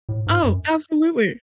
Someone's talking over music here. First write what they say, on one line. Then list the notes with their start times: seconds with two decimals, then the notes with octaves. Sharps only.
Oh, absolutely.
0.09 A2
0.27 G#2
0.44 F#2